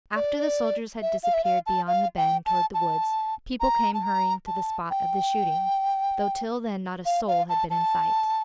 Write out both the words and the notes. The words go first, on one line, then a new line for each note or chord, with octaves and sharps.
After the soldiers had disappeared beyond the bend toward the woods, people came hurrying to the spot of the shooting, though till then not a soul had been in sight.
D5
E5
F5
E5
F5
A5
F5
G5
A5
A5
A#5
A5
A#5
A5
G5
F5
F5
A5
A5